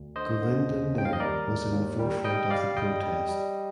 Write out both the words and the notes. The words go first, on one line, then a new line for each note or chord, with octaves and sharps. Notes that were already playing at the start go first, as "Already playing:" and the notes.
Govindan Nair was in the forefront of the protest.
Already playing: D2
D3 C5 D#5
D3
D#2
D#2 G5
F5
D#5
G3 A#4 D5
D#2
D#2
G3
G3 D#5 G5
G3 D5 F5
G3 D#5 G5
G3
G3